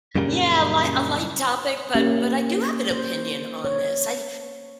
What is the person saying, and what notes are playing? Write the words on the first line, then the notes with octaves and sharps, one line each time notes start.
Yeah, li a light topic, but but I do have an opinion on this. I
F#2 A#2 C#3 G3 A3 A#3
A#3 C#4 G4
C5
C#5